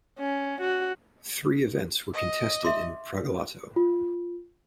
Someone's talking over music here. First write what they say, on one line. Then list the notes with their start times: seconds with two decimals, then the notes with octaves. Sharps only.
Three events were contested in Pragelato.
0.20 C#4
0.61 F#4
2.14 D#5
2.63 E5 C6 D6
3.76 F4